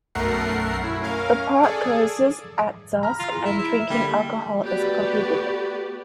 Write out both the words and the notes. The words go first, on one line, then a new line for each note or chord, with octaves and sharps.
The park closes at dusk and drinking alcohol is prohibited.
B1 F#2 A3 A#4 F#5 C7
F#2 E4
C#4 A#4 F5
G#4 A4 D5
A#5 B5 F6
F4
E2
E4
E4
D3 G3 A#3
A3 B3 F#4 G4 B4 D5